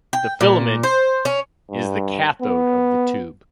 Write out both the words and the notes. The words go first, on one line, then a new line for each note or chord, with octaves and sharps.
The filament is the cathode of the tube.
G5
A#2
C5
C#4
G2
B3